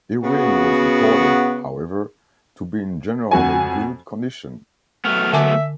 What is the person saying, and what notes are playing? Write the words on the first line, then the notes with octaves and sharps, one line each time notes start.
Irwin was reported, however, to be in generally good condition.
C#3 B3 F#4
F2 F#4 G#5
F#3 A3 B3 F6
D3 E5 G#5 D6